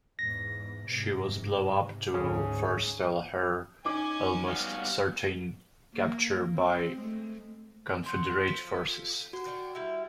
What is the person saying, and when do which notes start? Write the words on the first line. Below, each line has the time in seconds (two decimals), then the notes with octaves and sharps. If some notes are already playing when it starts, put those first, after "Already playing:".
She was blown up to forestall her almost certain capture by Confederate forces.
0.19 E2 G#2 A#6
0.87 G#2 C3
2.14 D2 G#2 C#4 G#4
3.85 C#4 D#4 G#5 D6
4.47 G3 B3 F#4 F5
5.94 A#3
6.54 C4
6.97 G#3 A3
8.06 B2 F#3 C6 G6
8.48 F3 A4 B6
9.33 F#4 C5
9.46 D#3 D4 G5
9.75 G3 E4 E5